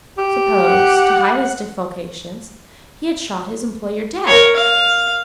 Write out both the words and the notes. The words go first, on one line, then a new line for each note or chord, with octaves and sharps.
Suppose, to hide his defalcations, he had shot his employer dead?
G4
F#5
A#4 C#5
F5